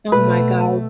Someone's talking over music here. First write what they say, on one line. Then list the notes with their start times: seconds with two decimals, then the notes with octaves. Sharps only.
Oh my gosh.
0.12 B2 A3 B4